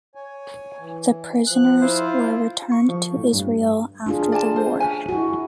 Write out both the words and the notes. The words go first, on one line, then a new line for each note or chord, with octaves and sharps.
The prisoners were returned to Israel after the war.
C#5 G#5
E3
F3 F#6
E4 F4 C5
C#6
F3
A2
G2
D4 F4 G#4
D5 G#5 A5
C5
C#4 B4 G#5
E4 F#4